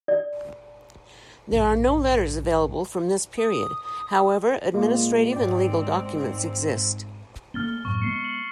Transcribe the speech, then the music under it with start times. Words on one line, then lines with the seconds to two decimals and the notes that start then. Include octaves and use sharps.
There are no letters available from this period, however administrative and legal documents exist.
0.08 D5
1.52 A#1 G#2
3.38 D#6
4.74 A#2 G#3 A#3
5.32 G#2 C4 D5 G5
7.54 A3 A#3 C4 F6 A6 G7
7.85 F#2 A2 B3 C#6
8.02 G#3 A#3 B3 C7 C#7
8.24 C#7 F#7